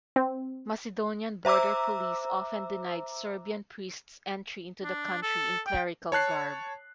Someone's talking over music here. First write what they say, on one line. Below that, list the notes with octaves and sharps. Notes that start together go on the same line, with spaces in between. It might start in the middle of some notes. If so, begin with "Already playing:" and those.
Macedonian border police often denied Serbian priests entry into the country in clerical garb.
C4
C5 E5 A#5 D6 E6
D4
A4
G5
C#5 A5 F#6 C7